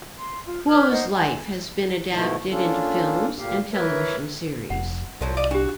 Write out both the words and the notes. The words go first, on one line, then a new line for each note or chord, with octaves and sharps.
Huo's life has been adapted into films and television series.
C6
F4
B4 F6 G#6
D#4 C5 D#5 F#5
F#5 G#5 C6
G#2 B2 D#3 A3 E4
A#3 C#4 D4 F4 A4
D2 A#2 A#3 G4 F5
E3 A#4 B4 C#5 E5
F1 F#5
C2 A#2 F3 F#3
D5 D#5 F5
D4 F#4 G4